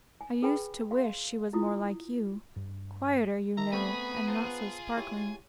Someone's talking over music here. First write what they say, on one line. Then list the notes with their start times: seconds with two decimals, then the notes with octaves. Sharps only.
I used to wish she was more like you--quieter, you know, and not so sparkling.
0.21 G#5
0.42 G#4 B4 G5 G#5 B5
0.91 F5 C6
1.53 E4 F4 D#6
2.56 G2
3.57 D#3 E5 A#5
3.73 A3 B3 C4 G#4 B5 C#6
4.27 F4 C5 A5 A#5
4.97 E4 G4 C#5